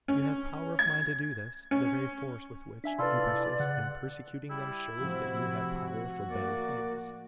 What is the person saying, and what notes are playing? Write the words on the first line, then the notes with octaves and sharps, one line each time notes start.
You have power of mind to do this: the very force with which you persist in persecuting them shows that you have power for better things.
C#4
G#6
C#4
D4 E5 G#5 B6
C3 E4 F4 A4 B4 D5
C#3 F#5
G3 E4
A2 C3 F3 G3 F#4
A#3 D5